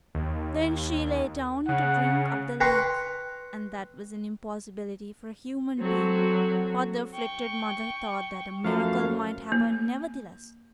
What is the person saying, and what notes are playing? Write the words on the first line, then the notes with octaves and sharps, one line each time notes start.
Then she lay down to drink up the lake, and that was an impossibility for a human being, but the afflicted mother thought that a miracle might happen nevertheless.
D#2
C#3 F#5
B4 G5 A#5 C6 C#6
F#3 C4 F#4 A4
G5 C#6
F#2 F3 A3 F5
A#3